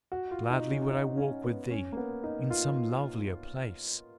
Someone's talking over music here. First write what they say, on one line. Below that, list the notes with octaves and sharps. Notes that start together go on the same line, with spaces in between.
Gladly would I walk with thee--in some lovelier place!
F#4
F4
D#4
C#4
D#4
C#4
B3
C#4
A#3
B3
D#4
F4